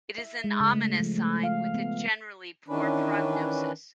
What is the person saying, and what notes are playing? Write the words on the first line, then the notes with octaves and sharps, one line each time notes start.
It is an ominous sign, with a generally poor prognosis.
E5
G#3
C#3
A3
F3
A3
F5
B3
D#3 E3 C#4 D4 B4